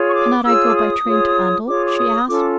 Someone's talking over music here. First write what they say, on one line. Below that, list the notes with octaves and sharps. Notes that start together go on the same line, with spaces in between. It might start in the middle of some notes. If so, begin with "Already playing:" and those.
"Cannot I go by train to Oundle?" she asked.
Already playing: F4 G#4 C#5
C#6
D6
F4 G#4 C#5 E6
D6
D#6
F4 G#4 C#5
F4 G#4 C#5 D6
D6
D#6
C#4 F4 A4 D6